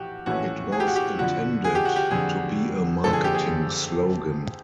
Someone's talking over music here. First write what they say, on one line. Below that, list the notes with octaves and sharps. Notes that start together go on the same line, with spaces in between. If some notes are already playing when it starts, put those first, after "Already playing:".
It was intended to be a marketing slogan.
Already playing: A#1 A2 E3 F#4 G4
A#1 A2 E3 A3 C#4 F#4
G#4
G4
F#4
G4
F2 D3 F3 F#4
G#4
G4
F#4
G4
F2 D3 F3 G#4
F#1 F2 D3 A4
G#4
G4
G#4